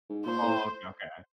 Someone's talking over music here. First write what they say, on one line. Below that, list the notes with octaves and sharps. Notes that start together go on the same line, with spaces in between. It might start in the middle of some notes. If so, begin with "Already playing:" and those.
Oh, okay, okay.
G#2
A#2 C5
A2